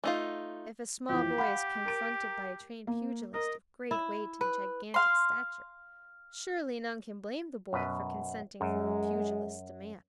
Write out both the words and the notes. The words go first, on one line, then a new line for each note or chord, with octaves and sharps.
If a small boy is confronted by a trained pugilist of great weight and gigantic stature, surely none can blame the boy for consenting to the pugilist's demands.
A3 D#4 F4
F2 E3 G4
F5 F#5 B5
A#4 D7
A#3
A#4 D#5
E4
B4
F5 C6
F#2 B2 B4
F#2 G#3